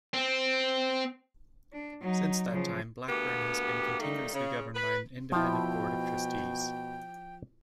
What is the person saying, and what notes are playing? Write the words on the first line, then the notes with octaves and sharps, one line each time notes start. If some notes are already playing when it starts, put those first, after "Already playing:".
Since that time, Blackburn has been continuously governed by an independent Board of Trustees.
C4
D4
F#3 D#4
C#3 F3
D2 A#3 B3 G4
D#3 G3 A3 A#3 D#4
C#3
B4
B2 F3 E4 F4 G5 A5